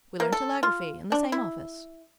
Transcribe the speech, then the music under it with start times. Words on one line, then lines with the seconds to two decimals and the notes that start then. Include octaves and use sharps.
We learned telegraphy in the same office.
0.20 A#3
0.33 A4
0.63 F4
1.12 D4
1.32 E4